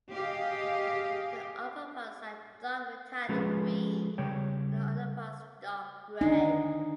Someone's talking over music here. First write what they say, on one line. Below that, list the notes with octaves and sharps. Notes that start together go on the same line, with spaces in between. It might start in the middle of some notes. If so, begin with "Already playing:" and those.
The upperparts are dark metallic green and the underparts dark gray.
G4 G#4 D#5 F5
F3 G#3 C#4 G#4 A4 B4
C#3 G3 C#5 G5
D4 D#4